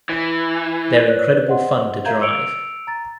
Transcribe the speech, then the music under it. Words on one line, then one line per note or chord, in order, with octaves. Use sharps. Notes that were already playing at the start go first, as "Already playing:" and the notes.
They're incredible fun to drive.
E3
A#4 B4 C#5 D5 F#6
C5 D#5 F#5 C6
A#4 E5 F5 A#5 G6 G#6
E6 C#7 D7 F7
A#5 A6